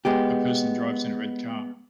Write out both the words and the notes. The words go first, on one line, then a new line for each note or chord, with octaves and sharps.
A person drives in a red car.
G#3 B3 G4